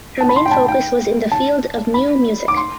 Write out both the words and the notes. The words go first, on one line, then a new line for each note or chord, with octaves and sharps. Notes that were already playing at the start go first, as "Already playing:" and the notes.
Her main focus was in the field of Neue Musik.
A5
B5
C6
G5
A5
G5
A5
B5
D6
C6